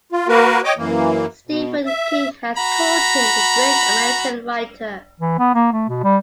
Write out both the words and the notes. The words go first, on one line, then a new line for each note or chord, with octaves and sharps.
Stephen King has called him the great American writer.
F4
A#3 F#4 A#4 B4
C#5 D#5 G5 D6
F#2 E3 A#3
B2
E5
F#4 A#5 B5
E3
B3
A#3
A3
B2
G3